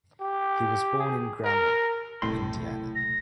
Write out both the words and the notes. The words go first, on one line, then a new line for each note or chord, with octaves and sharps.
He was born in Grammer, Indiana.
G4
G#4
A#4
D1 B1 A2 C3 A3 C6
A#6